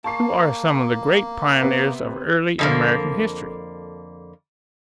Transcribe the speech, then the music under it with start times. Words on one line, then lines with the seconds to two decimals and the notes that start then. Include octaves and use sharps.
Who are some of the great pioneers of early American history?
0.04 A#3 A5 C#6 C7
1.62 C3 B3 C4
2.59 F2 D3 A#3